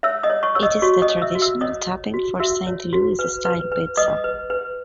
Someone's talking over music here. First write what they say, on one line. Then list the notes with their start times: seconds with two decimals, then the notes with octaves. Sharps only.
It is the traditional topping for Saint Louis-style pizza.
0.03 C#5 E5 E6
0.23 D#5 D#6
0.30 C#5
0.43 C#5 C#6
0.55 C#5 E6
0.63 D#5 D#6
0.82 F#4 C#5 C#6
1.02 D#5 D#6
1.09 C#5
1.22 E5 E6
1.35 F#4
1.41 E5 E6
1.61 C#5 D#5 D#6
1.87 C#5
2.14 F#4
2.40 F#4 E5 E6
2.67 C#5
2.93 F#4
3.19 B4
3.45 B4
3.72 B4
3.97 B4 D#5 D#6
4.24 B4
4.50 B4